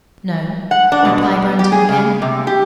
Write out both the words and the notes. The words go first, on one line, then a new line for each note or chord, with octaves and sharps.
"No," replied Brandon again.
F#5
D4
B2
B3
G4
G#4
C#3
C3
G4